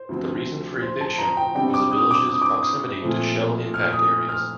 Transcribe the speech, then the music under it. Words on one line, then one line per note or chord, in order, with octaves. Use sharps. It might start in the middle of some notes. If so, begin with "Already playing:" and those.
The reason for eviction was the village's proximity to shell impact areas.
Already playing: C5
D2 C3 F3 C4
C5
A5
A#5
G5
C3 G3 D4 G5
D6
D#6
D6
D#6
D6
D#6
A#2 F3 A3 C4
F6
D#6
F6